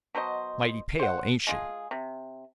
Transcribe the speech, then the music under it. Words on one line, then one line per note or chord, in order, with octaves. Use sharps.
"Mighty pale, ain't she?"
B2 F#3 C5 D#5
C5 F#5
G#3 F4 G#4
C3